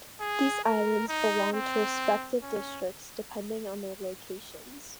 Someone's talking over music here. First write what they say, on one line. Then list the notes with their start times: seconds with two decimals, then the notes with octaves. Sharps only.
These islands belong to respective districts depending on their locations.
0.20 G#4
0.64 A#4
1.08 D#4
1.53 C4
2.42 C#4